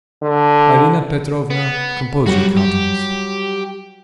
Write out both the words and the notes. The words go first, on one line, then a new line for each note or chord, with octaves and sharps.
Arina Petrovna, compose your countenance.
D3
B3
F#3 G3 F#4 G4
G4